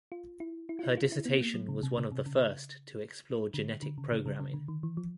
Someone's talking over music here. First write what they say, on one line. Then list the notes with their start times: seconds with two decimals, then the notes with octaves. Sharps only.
Her dissertation was one of the first to explore genetic programming.
0.12 F4
0.40 E4
0.69 E4
0.79 F4
0.83 E4
0.97 F4
1.12 E4
1.25 B3
1.41 A#3
1.54 F#3
1.69 C#3
1.83 C3
1.97 C#3
2.12 C3
2.26 C#3
3.54 D3
3.83 D3
3.98 C#3
4.12 C#3
4.26 C#3
4.40 C#3
4.54 D3
4.68 D#3
4.83 E3
4.97 F3